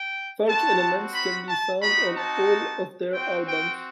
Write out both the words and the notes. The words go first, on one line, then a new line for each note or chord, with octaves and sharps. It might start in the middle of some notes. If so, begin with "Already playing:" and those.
Folk elements can be found on all of their albums.
Already playing: G5
C4 F#4 A5
B5
A5
C4 D#4 F#4 B5
A5
C4 F#4 G5
G5